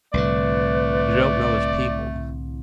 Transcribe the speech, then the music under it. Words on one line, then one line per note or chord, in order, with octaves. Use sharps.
You don't know his people.
C2 A2 D3 A3 B4 D5